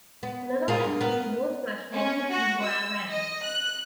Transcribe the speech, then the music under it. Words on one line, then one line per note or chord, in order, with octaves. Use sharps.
Level access to both platforms is via ramps.
B3
F4 G#4 A#4
G2
B3 A#4
C#4
F#4
E6
D#5
F#6